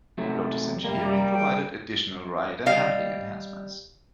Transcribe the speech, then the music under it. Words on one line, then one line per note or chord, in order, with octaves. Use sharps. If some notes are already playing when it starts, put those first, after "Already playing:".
Lotus Engineering provided additional ride and handling enhancements.
C3 F#3 A3
F#2 C3 G3 A#3 A#5
G#4 G5
G3 D#5 F5